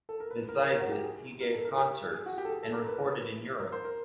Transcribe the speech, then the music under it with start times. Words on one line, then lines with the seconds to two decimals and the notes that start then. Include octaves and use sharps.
Besides it, he gave concerts and recorded in Europe.
0.09 A4
0.20 A#4
0.31 B4
0.49 A#4
0.67 A#4
0.79 F#4
0.92 G4
1.04 G#4
1.41 A#4
1.53 A4
1.65 A#4
1.78 G4
2.13 G#4
2.26 F#4
2.38 G4
2.45 A4
2.50 G#4
2.63 A4
2.74 A#4
2.87 B4
2.99 A#4
3.11 B4
3.60 A#4
3.72 C5
3.85 A#4